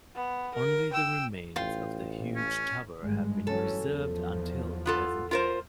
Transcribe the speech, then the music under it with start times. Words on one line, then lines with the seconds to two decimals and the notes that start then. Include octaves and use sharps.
Only the remains of the huge tower have been preserved until the present day.
0.15 B3
0.55 A#4
0.93 G5 E6
1.56 A1 F4 G5 C6
2.36 C#4
3.03 G#1 G2 G#3
3.47 E3 F#3 C#4 A4
3.87 E2 F3
4.86 B3 F4 A4
5.31 F4 A#4 C5